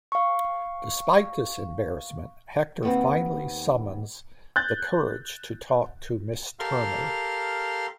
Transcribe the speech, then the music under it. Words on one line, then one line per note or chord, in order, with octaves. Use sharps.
Despite this embarrassment, Hector finally summons the courage to talk to Miss Turner.
F5 C#6
D#2 B3 C4
F#6 G6 A6
G4 A4 A#4 F5 C6 F6